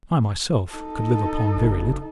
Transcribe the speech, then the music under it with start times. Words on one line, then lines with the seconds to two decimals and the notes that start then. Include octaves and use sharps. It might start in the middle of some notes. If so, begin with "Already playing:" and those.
I myself could live upon very little.
0.72 D#4 A4
1.55 F#1